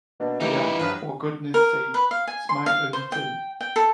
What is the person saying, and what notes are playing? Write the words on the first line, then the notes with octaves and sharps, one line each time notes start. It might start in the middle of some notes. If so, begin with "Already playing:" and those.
Liah, for goodness sake smile a little.
B2 A#3 D4
E3 G3 A3 A#3 D#4 E4 G4 G5
G2 F3 F#3 B4 F5 D#6
A#4
B4
F5
G#5
C6
F5
C5
G5
G5
A4